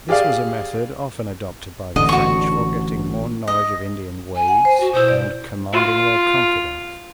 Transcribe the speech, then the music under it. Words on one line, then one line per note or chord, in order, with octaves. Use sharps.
This was a method often adopted by the French for getting more knowledge of Indian ways and commanding their confidence.
G4 G#4 D5 F5
A1 D3 D#5
F#4 C#6
D#5
G#5
F#5
C5
F#4
B2 E4 C5
D5
F4